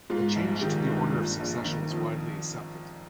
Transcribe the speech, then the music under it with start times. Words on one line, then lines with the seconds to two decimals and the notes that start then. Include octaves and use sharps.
The change to the order of succession was widely accepted.
0.10 G#2 F4
0.35 A#1
0.61 D#3 G4
0.87 G2
1.12 A#2
1.39 A#1
1.64 D#3
1.90 F2